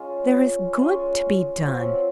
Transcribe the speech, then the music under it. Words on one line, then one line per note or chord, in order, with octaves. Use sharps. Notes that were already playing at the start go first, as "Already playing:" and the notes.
There is good to be done!
Already playing: G#3 C#4 F4
G#3 C#4 F4
F#3 C4 F4